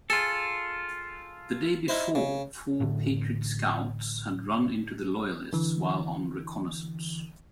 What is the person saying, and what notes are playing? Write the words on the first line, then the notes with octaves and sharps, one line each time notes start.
The day before, four Patriot scouts had run into the Loyalists while on reconnaissance.
F4 G#4 A4
D#4 E4 C5
C#3
A1 A2 D3
D3 E3